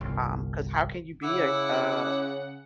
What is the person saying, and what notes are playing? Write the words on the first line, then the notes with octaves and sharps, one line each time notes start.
um, 'cause how can you be a a
G1 C2
C#3 E4 F#5 D6 E6